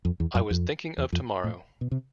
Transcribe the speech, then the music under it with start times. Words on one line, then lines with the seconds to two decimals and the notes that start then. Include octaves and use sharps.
I was thinking of tomorrow.
0.05 F2
0.20 E2
0.35 F#2
0.51 F2
0.98 E2
1.12 F2
1.44 A2
1.81 B2
1.91 C3